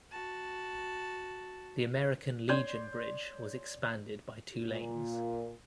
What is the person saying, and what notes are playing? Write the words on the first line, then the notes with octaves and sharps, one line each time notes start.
The American Legion Bridge was expanded by two lanes.
F#4 A5
C#5 D5 C6 G6 G#6
A#2